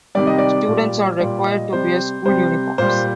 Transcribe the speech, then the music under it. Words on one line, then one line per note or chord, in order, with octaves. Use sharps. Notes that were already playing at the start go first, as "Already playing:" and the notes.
Students are required to wear school uniforms.
C3 D#3 G3 D5
D#5
D5
A#2 G3
A#2 G3 D5
D#5
C3 G3 C5
C3 G3 C5
A#2 G3 C5